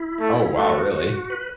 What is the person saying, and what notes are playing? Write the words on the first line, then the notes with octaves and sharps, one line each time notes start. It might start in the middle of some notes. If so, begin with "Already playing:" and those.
Oh, wow, really?
Already playing: E4
A3
A3 F#4
B4